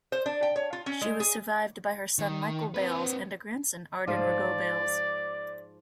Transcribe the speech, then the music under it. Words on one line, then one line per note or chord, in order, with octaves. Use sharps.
She was survived by her son Michael Bales, and a grandson, Arden Rogow-Bales.
C5
D4
G5
C#5
F4
C#4
G#3
G#4
D#3
C4 B4
G#2 F3 F4 D5